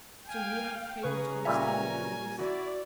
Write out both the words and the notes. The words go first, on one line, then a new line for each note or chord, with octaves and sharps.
So you have failed to understand me, Maurice.
F5 G5 G#5
C#3 C#4 G#4 B4 A#5 C#6
A#2 G3 E5 G#5
E4 F#4 D5